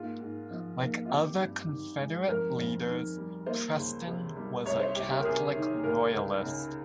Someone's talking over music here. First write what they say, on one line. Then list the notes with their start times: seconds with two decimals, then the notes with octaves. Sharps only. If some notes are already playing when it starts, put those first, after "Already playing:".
Like other Confederate leaders, Preston was a Catholic Royalist.
Already playing: G#2 A#3 F4
0.20 G#2
0.51 F3
0.80 A#3
1.05 F4
1.09 C4 G4
1.39 G2
1.68 D#3
1.98 G#3
2.28 F2 A#4
2.58 F2
2.87 D#3
3.17 G3
3.46 A#3 C5
3.76 C#2
4.06 C3
4.36 G3
4.65 C2 C#5
4.80 C5
4.95 C2 G4
5.09 G4
5.20 A#4
5.24 C3 G#4
5.55 D#3
5.83 C#2 A#4
6.14 C#2
6.43 C#3